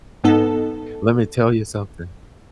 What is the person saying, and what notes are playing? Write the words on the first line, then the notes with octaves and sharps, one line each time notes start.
Let me tell you something."
G#2 B3 D#4 A4